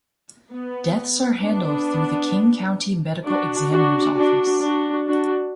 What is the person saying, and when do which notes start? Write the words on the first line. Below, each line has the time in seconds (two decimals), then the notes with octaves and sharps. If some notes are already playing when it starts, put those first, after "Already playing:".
Deaths are handled through the King County Medical Examiner's Office.
0.52 B3
1.43 B3 D4
3.26 D4 F#4
3.71 D4 F#4
4.16 D4 F#4
4.62 D4 F#4
5.08 D4 F#4